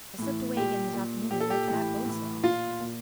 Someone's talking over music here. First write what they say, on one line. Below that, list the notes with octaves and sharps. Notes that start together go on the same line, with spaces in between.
I slipped away again this afternoon and went for that boat sail.
A2 E3
A#2 G4
A#2
A#2 G4
A4
G4
A2 E3 G4
A2 E3
A#2 F4
A#2